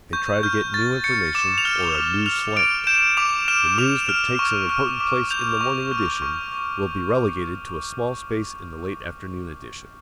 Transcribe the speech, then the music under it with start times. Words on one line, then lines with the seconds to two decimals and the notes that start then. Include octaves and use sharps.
They try to get new information, or a "new slant." The news that takes an important place in the morning edition will be relegated to a small space in the late afternoon edition.
0.13 C#6 G6
0.43 F6 G6
0.74 C#6 A6
1.04 G6 C#7
1.35 D6 E7
1.58 F7
1.65 F6 G7
1.95 D6
2.26 F6 F7
2.56 D6 D7
2.87 G6 E7
3.17 D6 F7
3.48 F6 E7
3.78 D6 F7
4.09 F6
4.39 C#6
4.69 F6
5.00 D6
5.30 G6 F7
5.61 C#6
5.92 F6
6.22 C#6